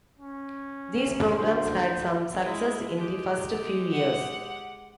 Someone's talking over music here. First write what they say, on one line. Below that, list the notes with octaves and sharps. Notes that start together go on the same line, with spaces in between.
These programs had some success in the first few years.
C#4
C3
D2 C5
G#3 E4
G#3 G4
F#5